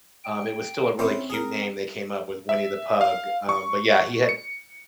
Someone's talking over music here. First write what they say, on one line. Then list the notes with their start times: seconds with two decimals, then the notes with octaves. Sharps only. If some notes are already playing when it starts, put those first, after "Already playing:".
um, it was still a really cute name they came up with, Winnie the Pug, um, but, yeah, he had
0.24 G5
0.99 C4 C#4 E4 C5
1.30 G#4 A#4
2.49 E5
3.01 F5
3.49 C#6
4.29 C#7